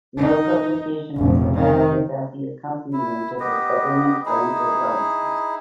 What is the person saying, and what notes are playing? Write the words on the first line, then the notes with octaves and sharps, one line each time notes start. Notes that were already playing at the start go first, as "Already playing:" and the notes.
No publication was allowed without the accompaniment of a government-granted license.
D#4
F1 A#1
D#3
E4
B3 G4 D#5
D#4 E4 G#4